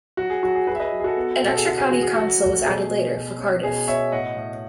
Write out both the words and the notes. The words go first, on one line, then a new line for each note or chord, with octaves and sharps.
An extra county council was added later, for Cardiff.
F#3 F#4
G#4
F#3 F#4
G#4
F#3 G#4 B4
E5
B4 D#5
F#3
G#4
F#4 A4
B3
B2
A4
G#4
C#3 F#4
G#4
E3 F#4
G#4
F#3 F#4
A3
B2 G#4
B2
B2
C#4
B2 G#4
B2 C#5 E5
A2 D#5 F#5
A2